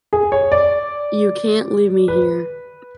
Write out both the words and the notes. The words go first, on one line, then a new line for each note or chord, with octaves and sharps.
You can't leave me here.
G#4
C#5
D5
B4